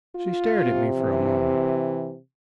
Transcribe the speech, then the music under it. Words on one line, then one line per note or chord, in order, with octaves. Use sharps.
She stared at me for a moment.
F4
C3
E3